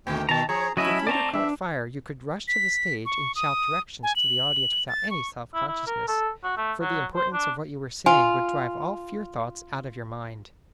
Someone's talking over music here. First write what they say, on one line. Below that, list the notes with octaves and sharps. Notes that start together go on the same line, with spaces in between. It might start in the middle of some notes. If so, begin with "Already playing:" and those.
If the theater caught fire you could rush to the stage and shout directions to the audience without any self-consciousness, for the importance of what you were saying would drive all fear-thoughts out of your mind.
D2 A#2 D#3 A#3 G5
B2 D#3 A5 A#5
F3 G#4 C#5 A#5
F#3 A3 C#4 E4 D#5 E5 B5
A3 C4 D5 A5 A#5
E2 D4 E5
B6
C#6
D#6
G#5
F#7
A6
C#6
E4
E4
A#4
A4
F#4
A3
F#3
C5
D4
F4 G#5